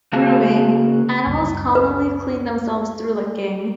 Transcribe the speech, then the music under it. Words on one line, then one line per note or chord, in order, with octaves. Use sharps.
Grooming: Animals commonly clean themselves through licking.
C#3 A#3 F#4 G#4 F5 A5
C#2 F#2 G3
B4